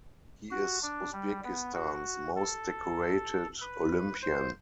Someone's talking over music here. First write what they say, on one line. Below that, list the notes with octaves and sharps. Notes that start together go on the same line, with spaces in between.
He is Uzbekistan's most decorated Olympian.
F#4
D4
G3
B3
F#4
A4
B4
C5